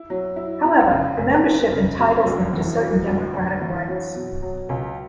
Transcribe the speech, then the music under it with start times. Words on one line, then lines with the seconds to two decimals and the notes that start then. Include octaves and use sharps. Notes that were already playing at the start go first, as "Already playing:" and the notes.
However, the membership entitles them to certain democratic rights.
Already playing: E4
0.10 F#3
0.36 E4
0.64 F#2
0.91 C#3
1.17 F#1
1.44 C#3
1.72 C#3
1.99 F#2
2.26 D2
2.53 E3
2.80 D2
3.07 D2
3.34 D2
3.61 E3
3.88 F#3
4.15 B2
4.42 F#3
4.69 C#2